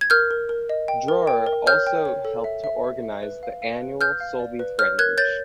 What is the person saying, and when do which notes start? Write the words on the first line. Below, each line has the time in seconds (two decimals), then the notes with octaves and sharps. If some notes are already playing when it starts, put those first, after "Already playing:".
Drower also helped to organize the annual Sulby Fringe.
0.01 G#6
0.10 A#4 F6 G6
0.31 A#4
0.49 A#4
0.69 D#5
0.88 G5
1.08 A#4
1.27 G5
1.47 A#4
1.67 C#5 F6 G6
1.87 G5
2.05 C#5
2.25 A4
2.44 E5
2.64 E5
2.84 E5
3.03 E5
3.23 B4
3.43 F5
3.62 F5
3.81 B4
4.01 B4 F6 G6
4.20 F5
4.40 D5
4.59 B4
4.79 C#5 F6 G6
4.99 A#4 F#6 G#6
5.17 C#5 G6 A6